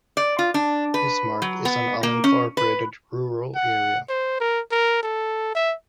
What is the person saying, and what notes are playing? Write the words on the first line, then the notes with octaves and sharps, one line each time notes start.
Bismarck is an unincorporated rural area.
D5
F4
D4
B4
F#3
B3
A#3
C#4
B4
F#5
C5
A#4
A#4
A4
E5